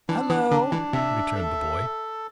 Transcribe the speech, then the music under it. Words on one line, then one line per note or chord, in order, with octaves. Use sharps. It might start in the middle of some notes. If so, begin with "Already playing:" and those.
"Hallo!" returned the boy.
E3 D4
E3
D3 D4
E3
C3 E5
A4